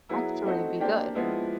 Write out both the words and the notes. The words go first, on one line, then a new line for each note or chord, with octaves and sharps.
actually be good.
F#3 B3 E4 G#4
A3 C4 D#4 F#4
A#3 D4 G4 C5
F3 G#3 B3 E4